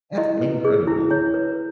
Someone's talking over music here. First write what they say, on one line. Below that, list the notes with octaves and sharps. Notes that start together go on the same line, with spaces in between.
That's incredible.
E4 D#5
B4
G#4
E4
E4 C#5
B4